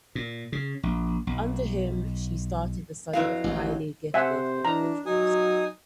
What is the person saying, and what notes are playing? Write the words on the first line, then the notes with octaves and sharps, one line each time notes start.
Under him she started the study of highly gifted individuals.
A#2
C#3
A#1
B1
F2 F#3 E4 B4 F5
A1 D#2
C3 C5 E5 F#5 G#5
E3 D4 A#5
F#3 D#4 F#4 G#5 D#6